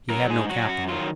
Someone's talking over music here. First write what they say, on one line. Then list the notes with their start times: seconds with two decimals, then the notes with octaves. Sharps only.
He had no cap on.
0.10 F#3 A#4
0.30 G#2 G#4
0.49 F#3 F#4
0.68 F#2 F#4
0.88 D#3 F#3 F4